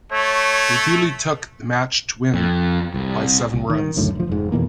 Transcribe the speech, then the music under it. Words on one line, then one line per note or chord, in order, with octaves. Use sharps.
They duly took the match to win by seven runs.
A3 C#5
F2
C2
C2
D#3
C#2 F#2 A2 D3
E1 F3
F1 G#2
F2 B2 E3 A#3